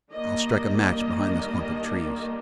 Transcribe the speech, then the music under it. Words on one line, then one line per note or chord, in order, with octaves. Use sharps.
I'll strike a match behind this clump of trees.
D#3 G3 A#3 D4 D#5
D#5